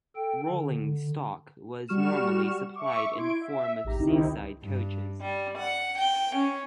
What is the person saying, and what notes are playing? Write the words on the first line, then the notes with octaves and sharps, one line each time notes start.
Rolling stock was normally supplied in the form of seaside coaches.
A4 G5
D3
G3 F#4 C#6 F6 E7
E5 C#6 D6
E4 C6 G#6 D7
E5
A1 G#2 G4 A#5
C#2 D#3 C4 D#4 E4 G4
G2
G3
F#5
G5
C#4